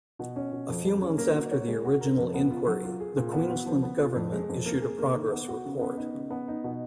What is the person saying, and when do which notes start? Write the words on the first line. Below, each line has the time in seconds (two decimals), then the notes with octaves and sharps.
A few months after the original Inquiry, the Queensland Government issued a progress report.
0.19 B2
0.36 C#4
0.52 B2
0.69 F2
0.85 G#3
1.02 C#4
1.18 A#3
1.35 F#4
1.51 C#5
1.68 G#3
1.85 F#4
2.01 A#4
2.17 F2
2.34 B3
2.51 F4
2.67 F#3
2.84 F4
3.00 G#4
3.17 A#2
3.33 B3
3.50 F#4
3.66 F3
3.83 B3
4.00 F4
4.16 F2
4.32 G#3
4.49 F2
4.66 A#3
4.82 G#4
4.98 A#3
5.15 D#3
5.32 B3
5.48 F#4
5.65 C#3
5.81 B3
5.97 D#4
6.14 C#3
6.30 B3
6.48 D#4
6.64 B2